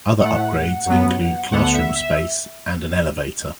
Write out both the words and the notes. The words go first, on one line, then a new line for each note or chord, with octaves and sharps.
Other upgrades include classroom space and an elevator.
A2 A3 F#5
F#2 F#3 B3
D2 D3 B3 F#5
F#5
E5
E5